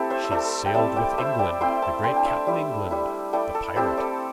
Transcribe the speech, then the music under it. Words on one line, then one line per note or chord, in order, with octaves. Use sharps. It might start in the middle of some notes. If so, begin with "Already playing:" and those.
She's sailed with England, the great Cap'n England, the pirate.
Already playing: A3 C4 E4 G4 A4
C5 E5
E5
A3 E4 A4 D5
G5
G3 C4 E4 E5 A5
D5 G5
A3 E4 C5 E5
D5 G5
A3 C4 E4 G5 C6
E5 A5
A3 D4 G5 C6
G5
E5 A5
G3 E4
G3 E4
A3 E4 D5 G5
A4
A3 C4 E4 G4 C5
A4 D5